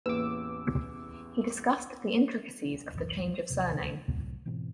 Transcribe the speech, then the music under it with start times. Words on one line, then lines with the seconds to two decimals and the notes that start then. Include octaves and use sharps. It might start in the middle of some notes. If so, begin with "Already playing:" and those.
He discussed the intricacies of the change of surname.
0.06 A1 E2 A#3 B4 D6 E6
2.92 D1 B1 F#2 E3
3.50 D#2 C3 F3
4.08 F#1 C2 F#2 A2
4.45 G#2 B2 E3 C4